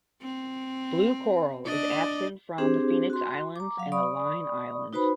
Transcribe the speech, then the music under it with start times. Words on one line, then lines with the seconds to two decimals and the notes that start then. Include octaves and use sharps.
Blue coral is absent from the Phoenix Islands and the Line Islands.
0.22 C4
1.66 D4 D5 D#5
2.58 C4 D4 G4 G#4 C5
3.10 F#4 C6
3.56 A#5 D6
3.78 F#3 F5
3.92 D5 B5 C#6 D#6
4.93 D#4 F#4 B4 C5 B5